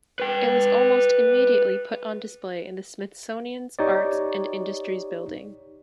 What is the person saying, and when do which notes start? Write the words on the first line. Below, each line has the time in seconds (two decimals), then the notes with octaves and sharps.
It was almost immediately put on display in the Smithsonian's Arts and Industries Building.
0.20 B4 G5
3.79 D#4 G4 C#5 D5